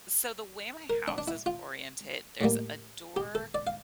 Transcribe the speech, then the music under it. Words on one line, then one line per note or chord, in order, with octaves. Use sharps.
so, the way my house is oriented, there's a door
A#4
D4
D4
E4
F4
A2 G3 A#3
G4
A4
D5
F5